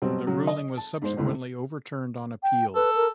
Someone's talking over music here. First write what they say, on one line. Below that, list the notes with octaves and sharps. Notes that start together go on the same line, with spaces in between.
The ruling was subsequently overturned on appeal.
B2 F#3 G3 C4
C#3 F#3
D#5
A5
G#2 C5
G1 C#2 A2
G5
A4 B4
A#4